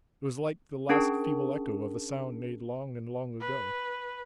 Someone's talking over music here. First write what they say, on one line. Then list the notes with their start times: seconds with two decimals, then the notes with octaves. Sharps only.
It was like the last feeble echo of a sound made long and long ago.
0.89 C#4 D4 G#4 A#4 A5
3.40 B4